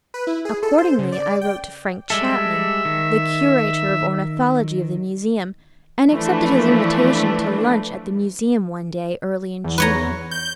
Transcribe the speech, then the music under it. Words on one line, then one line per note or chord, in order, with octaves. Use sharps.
Accordingly, I wrote to Frank Chapman, the curator of ornithology of the museum, and accepted his invitation to lunch at the museum one day early in June.
B4
E4
G#4
A4
C5
C#3
D5
G5
G3 G#3 A4 E5
D#3
E3 F3 A3 D4 B4
E2
B4 C#5 A#5
G6